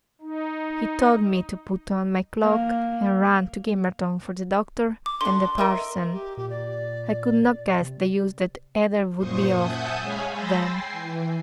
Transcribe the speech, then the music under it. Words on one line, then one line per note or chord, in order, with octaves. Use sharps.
He told me to put on my cloak and run to Gimmerton for the doctor and the parson. I could not guess the use that either would be of, then.
D#4
A#3
D6
D3 D4 C6
A#4 D#5 E5
G4
A#2 G4
D5
C3
F#2 A#2 C5 C#6 D#6
E5 F#5 G#5 A5 D#6 G6
G#3 G#4 C#5 F5 G#5 B5
B5 C6 E6 G6 A6 A#6
G5 G#5 C7
E3